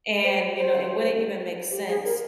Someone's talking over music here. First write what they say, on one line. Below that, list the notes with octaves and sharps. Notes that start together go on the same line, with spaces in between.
and, you know, it wouldn't even make sense
C5
C5
G4
G#4
A#4